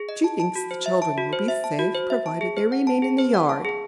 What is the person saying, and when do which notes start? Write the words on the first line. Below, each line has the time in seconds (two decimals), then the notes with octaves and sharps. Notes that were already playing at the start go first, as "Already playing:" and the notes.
She thinks the children will be safe, provided they remain in the yard.
Already playing: G#4
0.09 D#5
0.24 A5
0.40 A5
0.56 F#4
0.71 C5
0.86 E5
1.02 A5
1.18 F#4
1.33 C5
1.48 E5
1.64 A5
1.79 F#4
1.95 C5
2.10 E5
2.26 A5
2.41 G#4
2.57 C5
2.72 F#5
2.87 A5
3.02 G#4
3.19 C5
3.34 F#5
3.49 A5
3.65 G#4